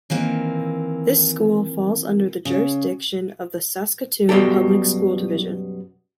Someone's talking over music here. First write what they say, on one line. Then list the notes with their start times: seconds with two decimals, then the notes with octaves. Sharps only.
This school falls under the jurisdiction of the Saskatoon Public School Division.
0.10 D#3 E3 A#3 C4
2.45 C#3
4.29 F#2 B2 G3 G4 A4